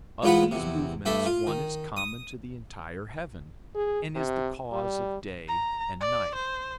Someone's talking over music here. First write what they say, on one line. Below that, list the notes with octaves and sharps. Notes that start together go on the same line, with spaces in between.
Of these movements, one is common to the entire heaven, and is the cause of day and night.
G#2 E3 F3 F4 B4 F#5
E2 C3
G2 A3 D4 E5 A5
F4
D#3
D#6
G#4
C3
G3
A#5
D5
C5